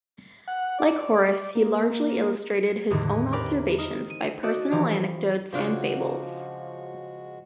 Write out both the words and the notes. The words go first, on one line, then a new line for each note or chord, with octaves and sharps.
Like Horace he largely illustrated his own observations by personal anecdotes and fables.
F#5
D5
A#3
E2 A2 D3 D#3
C4 G4 A#4 B4 D5
D#4 A#4 E7
D#7
F#4 A4 D5 D#5
E3 F3 C#4 G4
C#3 F3 F#3 G#3 D4 F4 F#4 C5